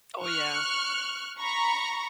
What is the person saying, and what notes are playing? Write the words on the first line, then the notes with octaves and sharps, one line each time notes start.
Oh, yeah.
C#6 F6 F#6
A#5 B5 C#6